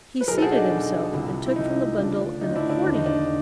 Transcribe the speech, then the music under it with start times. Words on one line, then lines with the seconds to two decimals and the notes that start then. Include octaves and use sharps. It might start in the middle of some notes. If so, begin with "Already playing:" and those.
He seated himself and took from the bundle--an accordion!
0.21 B4
0.28 B1 G#4 A#4
0.32 B2
0.38 A4
0.42 F#4 G#4
0.52 D#4
0.56 D4
0.70 B1 B2
1.13 C2 C3 F3
1.46 E4
1.56 C2 C3 F3 D#4
1.98 D2 C#3 F3 D4
2.21 D4
2.41 D2 C#3 F3 D#4
2.56 D4 E4
2.70 D4 E4
2.84 E1 D#2 D3 D4
2.95 D#4
3.06 D4
3.27 D3